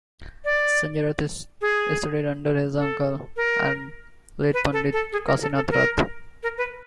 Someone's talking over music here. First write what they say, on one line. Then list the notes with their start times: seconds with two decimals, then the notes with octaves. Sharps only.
Sanjay Rath studied under his uncle, the late Pandit Kasinath Rath.
0.45 D5
1.61 G#4
2.78 A4
3.36 A#4
4.53 B4
4.73 A4
4.93 A4
5.12 G#4
5.27 A#4
5.42 A4
5.56 A4
5.71 A#4
6.43 A#4
6.58 B4